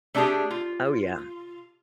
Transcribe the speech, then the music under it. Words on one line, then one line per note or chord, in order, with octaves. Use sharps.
Oh, yeah.
A3 D4 D#4 F4 G4 G#4
F4